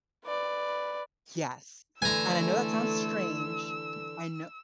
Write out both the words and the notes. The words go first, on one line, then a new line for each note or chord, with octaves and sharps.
Yes, and I know that sounds strange, I kn
B4 D5
D3 E3 A3 G#5 A#5 E6